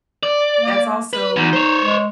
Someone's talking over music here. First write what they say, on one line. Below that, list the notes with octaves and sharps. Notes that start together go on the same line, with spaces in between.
that's also,
D5
A#3
B4
E2 D#4
C5 C#5
G#3